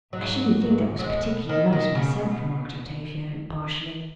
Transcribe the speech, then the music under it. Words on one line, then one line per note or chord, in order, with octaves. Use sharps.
"I shouldn't think that was particularly nice, myself," remarked Octavia impartially.
G#2 F#3
G#2
F#3
B2 G#3
B2 D#3
D#3
C#3